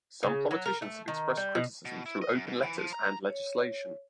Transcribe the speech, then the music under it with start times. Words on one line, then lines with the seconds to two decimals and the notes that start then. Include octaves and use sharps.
Some politicians have expressed criticism through open letters and legislation.
0.23 C#3
0.51 F#3
0.65 A#4
0.82 A3
1.08 D#3
1.37 G3
1.55 B2
1.85 B2
2.06 E4
2.22 D#5
2.35 F#2
2.47 G#2
2.61 E3
2.78 F3
2.93 A#5
3.29 C#5